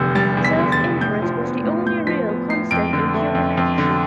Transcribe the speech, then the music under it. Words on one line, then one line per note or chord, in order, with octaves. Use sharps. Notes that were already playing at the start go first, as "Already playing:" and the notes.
Self-interest was the only real constant in human action.
Already playing: F1 E2 D3 E6 G6
G3 A6
E2
B6
D3
A6
F1
A2 G6
F3
B3
A2
A2 G6
F3 B6
B3
A2 C7
F2 D7
D3
A3
F2
F2
D3